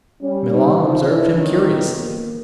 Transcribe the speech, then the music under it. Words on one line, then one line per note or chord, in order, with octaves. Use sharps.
Milon observed him curiously.
G3 C#4
D#4
F3 D#4
E3 D4
D#3 C#4
B3
A#3